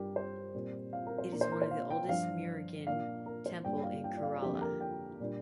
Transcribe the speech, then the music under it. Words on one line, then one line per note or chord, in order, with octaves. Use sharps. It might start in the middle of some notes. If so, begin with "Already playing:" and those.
It is one of the oldest Murugan temple in Kerala.
Already playing: G2 G3 D4 G4 A#4
C5
A#2 G3 C4
F5
A#4
C5
A#2 A#3 D4 A#4
C5
A#4
C5
F5
G5
G2 F3 D4 F5
A#2 A#3 D4 F5
A#4
C5
G2 G3 A#3 D4 G5
F5
G5
D5
F5
F2 D3 F3 A#3 D4 G4
A#4
G5
A#2 G3 D4